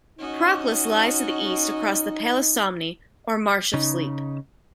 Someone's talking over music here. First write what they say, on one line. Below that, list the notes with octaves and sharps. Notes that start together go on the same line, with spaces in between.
Proclus lies to the east across the Palus Somni, or Marsh of Sleep.
C#4 D#4 F#4 D#5
C#3 D#4